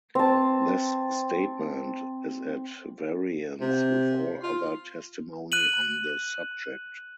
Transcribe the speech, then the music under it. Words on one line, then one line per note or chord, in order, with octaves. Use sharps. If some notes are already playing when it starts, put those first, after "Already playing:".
This statement is at variance with all other testimony on the subject.
C4 A5
C3
F4
F#6 D#7 F#7